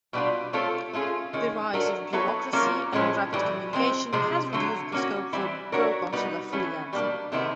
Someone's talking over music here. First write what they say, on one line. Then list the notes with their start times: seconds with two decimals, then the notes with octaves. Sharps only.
The rise of bureaucracy and rapid communication has reduced the scope for proconsular freelancing.
0.13 B2 G3 B3 D4 F4
0.53 A3 C4 F4 A4 C#5
0.93 A3 C#4 F4 G#4
1.33 D#3 G#3 C#4
1.73 F#3 A3 D4 F#4 A#4
2.13 F#3 B3 E4 A4 C#5
2.53 F#3 A#3 C#4 F4 A#4
2.93 A2 F3 G#3 C#4
3.33 A2 E3 G3
3.73 F3 G#3 C4
4.13 C3 F3 G#3
4.53 D3 F#3 A3
4.92 A#3 C#4 F#4
5.33 E3 G3 C4 E4
5.72 A3 D4 F#4 A#4 C#5
6.12 G3 B3 D#4 F#4 B4
6.52 E3 A3 C#4 E4
6.93 B2 G3 A#3 D4
7.32 C3 D#3 G#3 B3 E4